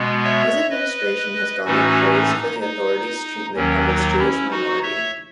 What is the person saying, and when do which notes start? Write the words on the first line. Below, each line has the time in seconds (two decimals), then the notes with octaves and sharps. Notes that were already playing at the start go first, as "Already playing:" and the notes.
His administration has garnered praise for the authorities' treatment of its Jewish minority.
Already playing: B2 G#3 B3
0.24 C#5 E5
0.70 B4 D#5
1.65 A2 E3 A3 C#4 D#4 F#4
2.13 D#4
2.61 D#4
3.55 D#2 D#3 F#3 C#4
3.88 D#4
4.18 C#4 E4
4.50 D#4 F#4
4.82 C#5 E5